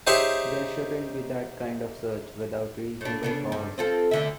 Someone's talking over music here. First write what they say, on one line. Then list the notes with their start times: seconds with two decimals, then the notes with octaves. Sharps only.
There shouldn't be that kind of search without reasonable cause.
0.07 D#4 G4 G#4 C5 C#5 E5
3.01 A2 D4
3.23 C#3 B3 D4
3.52 G2
3.78 C4 F4 A4
4.11 D2 D3 E5